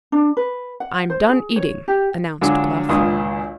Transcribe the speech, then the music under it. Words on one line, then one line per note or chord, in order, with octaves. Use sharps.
"I'm done eating," announced Bluff.
D4
B4
F#5
C5
G#4
C#5
G4
D3 F#3 G#3 D4 F4
G#1 C#2 A#2 D4 C6 D#6